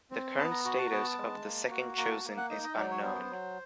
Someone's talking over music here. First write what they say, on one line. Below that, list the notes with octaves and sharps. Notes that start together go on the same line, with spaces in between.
The current status of the second Chosen is unknown.
C4
B3 A5
A#5
F#4 A#5
A5
A#5
B3 A5
G#3
A#3
F#4
A#3 A#5
A5
A#3
F#5
D#4 D#5
D#5
F#3 D5
C#5
B3 C5
F#3